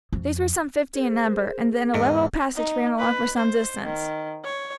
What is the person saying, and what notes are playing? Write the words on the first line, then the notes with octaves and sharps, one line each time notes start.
These were some fifty in number, and then a level passage ran along for some distance.
F2
G#4 A#4 C5
E2 G#2 D#5
D#4
B4
C5
D#3
C#5